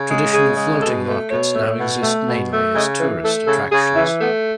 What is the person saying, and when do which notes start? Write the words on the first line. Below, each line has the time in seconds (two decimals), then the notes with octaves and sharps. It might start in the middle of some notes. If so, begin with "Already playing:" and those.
Traditional floating markets now exist mainly as tourist attractions.
Already playing: C#3
0.10 G#3
0.33 C#3 G#4
0.57 G#3
0.82 B2 A4
1.06 A3 B4
1.30 B2 C#5
1.54 A3
1.78 B2
2.02 A3
2.26 B2
2.52 A3
2.75 C#3 D#5
2.99 E3 B4
3.23 A3 A4
3.47 C#3 A4
3.72 C#3 G#4
3.96 E3 E4
4.20 A3 B3